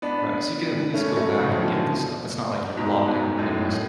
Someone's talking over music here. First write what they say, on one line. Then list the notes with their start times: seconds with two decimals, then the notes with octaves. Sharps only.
Right. So, you can at least go back and get the stuff, it's not like you're locked out if you missed it.
0.02 B3 D4
0.94 A3 C#4
1.16 F#3 A3
1.39 A2 C#3
1.52 F3
1.62 B2 D3
2.77 G#2 B2
3.07 G#2 B2
3.38 F#2 A2
3.69 A2